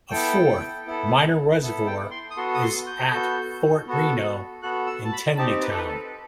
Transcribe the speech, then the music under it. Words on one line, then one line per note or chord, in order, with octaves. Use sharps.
A fourth, minor reservoir is at Fort Reno in Tenleytown.
B3 E4 A4 G5
B3 E4 A4
B3 E4 A4
G5
C6
D#6
B3 F#4 A4 C6
D#6
C6
G6
B3 F#4 A4
B3 F#4 A4
B3 F#4 A4 F#6
E6
A5
B5
C4 D#4 G4 A5
B4
A4
B4
A4